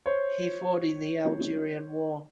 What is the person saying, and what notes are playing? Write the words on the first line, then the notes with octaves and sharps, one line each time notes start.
He fought in the Algerian War.
C5 C#5